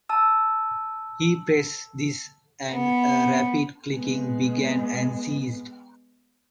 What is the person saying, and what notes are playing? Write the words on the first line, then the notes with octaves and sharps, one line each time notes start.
He pressed this and a rapid clicking began and ceased.
A5 E6
B3
G#3 B3